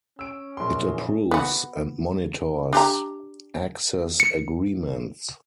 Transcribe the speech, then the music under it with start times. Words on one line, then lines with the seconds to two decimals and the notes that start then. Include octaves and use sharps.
It approves and monitors 'access agreements'.
0.19 C#4 E6 D7
0.57 A#1 A#4 C6
1.31 B3 F#4
2.73 D4 G4 A#5
4.20 C#7